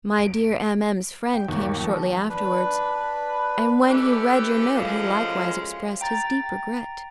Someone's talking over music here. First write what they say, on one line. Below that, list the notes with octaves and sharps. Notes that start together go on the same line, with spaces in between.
My dear M---- M----'s friend came shortly afterwards, and when he read your note he likewise expressed his deep regret.
D7
G5
D#2
F3
D4 B4
C#4 E4 G4 A4 B4
F#2 A2 F3 G#3 F4
G5 A#5 A6